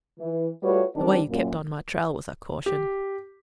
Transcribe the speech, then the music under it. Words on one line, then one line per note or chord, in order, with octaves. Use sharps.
"The way you kept on my trail was a caution."
E3
G3 A3 F4 F#4 B4 C#5
D#3 G3 C4 D4
F#2 A#2
G4